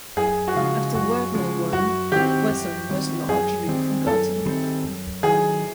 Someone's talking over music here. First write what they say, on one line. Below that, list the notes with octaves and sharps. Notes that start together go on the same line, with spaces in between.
After World War One Watson was largely forgotten.
F#2 G#4
F#4
C#3 F3 G#3 F4
F#2 F#4
C#3 F3 G#3
F#2 F#4
D#3 G3 C4 G4
F#2
D#3 G3 C4
F#2 G#4
D#3 G3 C4
F#2 A4
D#3 G3 C4
F#2
D#3 F#3 G#4